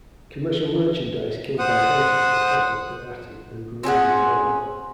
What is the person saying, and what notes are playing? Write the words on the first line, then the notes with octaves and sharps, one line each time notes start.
Commercial merchandise came by donkey to the port of Parati and grew even more.
C5 F#5 D#6
C4 C#4 G#4 F#5